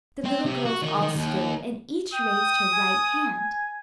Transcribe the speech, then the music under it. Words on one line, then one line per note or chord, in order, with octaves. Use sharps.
The little girls all stood, and each raised her right hand.
C4
C3
F#4
D#3
D#3
D#2
G5 D#6
G#5